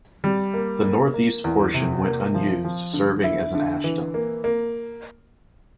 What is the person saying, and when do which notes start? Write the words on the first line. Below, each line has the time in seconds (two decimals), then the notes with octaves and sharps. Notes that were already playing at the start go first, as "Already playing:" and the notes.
The northeast portion went unused, serving as an ash dump.
0.24 G3
0.54 A#3
0.84 A#3
1.14 A#3
1.44 E2
1.74 C3
2.04 A#3
2.34 F3
2.64 F3
2.93 D3
3.24 E4
3.55 D3
3.84 E3
4.14 A#3
4.44 A#3